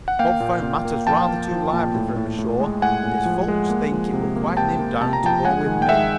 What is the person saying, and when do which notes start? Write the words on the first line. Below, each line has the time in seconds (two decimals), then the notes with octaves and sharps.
"Bob found matters rather too lively for him ashore, and his folks think it will quiet him down to go with me."
0.08 F#5
0.19 A#3 F5 G5
0.40 A#2
0.62 A#2
0.85 A#3
1.07 F3 G5 A5
1.29 A#3
1.51 F3
1.73 A#2
1.95 A2
2.16 A2
2.38 A2
2.60 G#3
2.82 A2 F#5 G#5
3.03 A2
3.25 F3
3.48 G#3
3.70 A#3
3.92 F3
4.13 C3
4.36 A#3
4.57 C3 G5 A5
4.79 A#3
5.01 C3 A5
5.13 A#5
5.24 F3 G5 A5
5.44 G#3 F#5 G#5
5.67 D#3
5.82 G5
5.89 G#3 E5 F#5